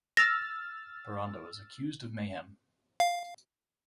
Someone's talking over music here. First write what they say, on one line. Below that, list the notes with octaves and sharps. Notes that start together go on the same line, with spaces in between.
Boronda was accused of mayhem.
E6 F6 A6 A#6
F5